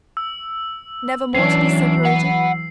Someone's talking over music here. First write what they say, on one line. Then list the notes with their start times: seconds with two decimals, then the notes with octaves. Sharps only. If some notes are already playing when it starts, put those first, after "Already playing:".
"Never more to be separated?"
0.17 E6
1.35 E3 F#3 C#4 D4 C7
2.05 F#5 B5